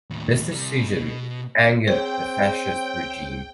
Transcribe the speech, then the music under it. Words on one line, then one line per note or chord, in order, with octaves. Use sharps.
This decision angered the Fascist regime.
D#2 A2
C3 G3
B2
C4 G#4 C5 C#5 G5